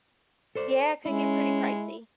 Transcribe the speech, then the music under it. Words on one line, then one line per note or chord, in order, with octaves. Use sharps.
Yeah, it could get pretty pricey.
A4 C5 D5
G#3 C#4 E4